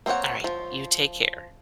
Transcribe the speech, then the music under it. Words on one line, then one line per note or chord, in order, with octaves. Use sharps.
Alright, you take care.
A#3 C4 D#4 C#5 F#5
F3